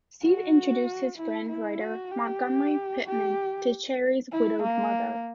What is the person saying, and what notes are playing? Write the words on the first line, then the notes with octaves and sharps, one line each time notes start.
Steve introduced his friend, writer Montgomery Pittman, to Sherry's widowed mother.
F#4
E4
E4
F#4
G4
G4
E4
A#3